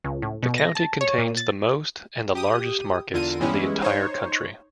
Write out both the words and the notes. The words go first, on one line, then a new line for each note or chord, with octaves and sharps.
The county contains the most and the largest markets in the entire country.
C#2
A2
B2
A#6
A5
C#5
A#2
A6
G4 D#6
E2 D3 F4 A#4 D#7
E3 G3 G#3 B3 C#4 E4
D#4 C5 C#5